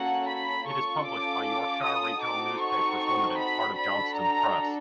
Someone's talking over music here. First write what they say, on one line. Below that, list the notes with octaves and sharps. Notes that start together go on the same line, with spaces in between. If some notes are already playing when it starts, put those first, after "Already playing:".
It is published by Yorkshire Regional Newspapers Limited, part of Johnston Press.
Already playing: A#3 C#4 F#4 A4 F#5
B5
C#4 F4 A4 C#6
D6
D#6
C4 D#4 F#4 A4 D6
C#6
B5
D4 F#4 A4 B5
A#5